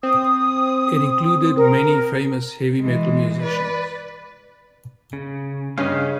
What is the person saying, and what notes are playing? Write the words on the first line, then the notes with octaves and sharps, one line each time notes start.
It included many famous heavy metal musicians.
C4 D#6
A#4
E3 G#3
B4 D5
C#3
G2 C#3 C#4 D#5 F5